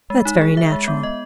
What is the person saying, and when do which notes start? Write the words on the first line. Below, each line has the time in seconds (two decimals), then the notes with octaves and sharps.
That's very natural.
0.10 G#3
0.25 D#4
0.41 G#4
0.57 E5
0.72 G#3
0.88 B3
1.03 D#5